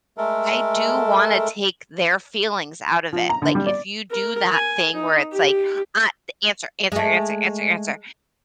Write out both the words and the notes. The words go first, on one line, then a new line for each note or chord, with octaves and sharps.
I do wanna take their feelings out of it, like, if you do that thing where it's like, at "Answer, answer, answer, answer, answer."
G#3 A3 A4 A#4
F3
A#5
D3
G3
D5
A#4
G#5
D#4
G4
G#3 A3